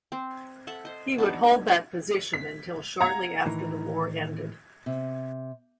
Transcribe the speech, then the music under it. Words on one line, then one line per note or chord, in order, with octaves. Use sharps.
He would hold that position until shortly after the war ended.
C4
A4 E5 F#5
C5 D#5
B3 D4 D#4 F#4
B6
F5 F#5 A#5 G#6
A2 D#3 E3
C3